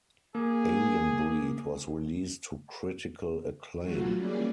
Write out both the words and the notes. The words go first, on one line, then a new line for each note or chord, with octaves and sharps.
"Alien Breed" was released to critical acclaim.
A#3 G#4
E3 F#3 A3 F4 F#4
E3 G3 A#3 C#4 G#4 D5